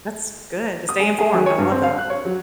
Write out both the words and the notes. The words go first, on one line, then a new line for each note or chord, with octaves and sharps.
That's good, to stay informed, I love that.
D#6
G#4
G#4
F#3
C#5
G2
C4
F5
F#6
C#5
F#3